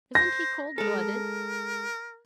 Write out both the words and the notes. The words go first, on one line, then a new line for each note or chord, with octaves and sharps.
Isn't he cold-blooded?
C5 A#6
G#3 A4 A#4